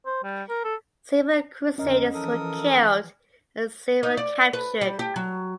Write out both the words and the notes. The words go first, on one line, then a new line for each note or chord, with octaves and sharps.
Several crusaders were killed and several captured.
C5
G3
A#4
A4
F2 D3 C#4 A#4 D#5
E3 F3 A4 A#4 D#6
D#4
D5
B4
G3
G4
F#3